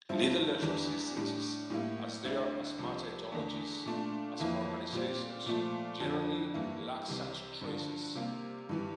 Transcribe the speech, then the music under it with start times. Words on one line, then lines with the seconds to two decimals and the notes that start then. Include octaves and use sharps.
Leaderless resistances, as they are as much ideologies as organizations, generally lack such traces.
0.09 G2 F3 C4 E4
0.62 E2 E3 G3 D4
1.17 A2 G3 D4
1.70 A2 G3 A#3 E4
2.24 D2 D3 G3 C4 E4
2.78 C2 C3 F3
3.32 E2 D3 A3
3.85 A#2 A3 D4
4.39 F2 E3 A#3 E4
4.93 A#2 G3 C4
5.46 A#2 F3 A3
6.00 F2 D3 F3
6.54 G2 E3 A#3 E4
7.08 C2 C3 E3 G3
7.61 G2 D3 F3
8.15 C3 G3 A#3
8.69 G2 E3 G3